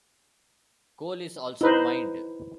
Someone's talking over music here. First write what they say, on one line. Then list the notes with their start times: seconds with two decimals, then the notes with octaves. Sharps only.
Coal is also mined.
1.61 D#4 E4 B4 C5